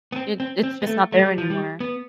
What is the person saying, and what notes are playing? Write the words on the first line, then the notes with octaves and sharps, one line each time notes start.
It it's just not there anymore.
B3
C4
C4
C4
B3
A3
A3
G3
F3
G3
B3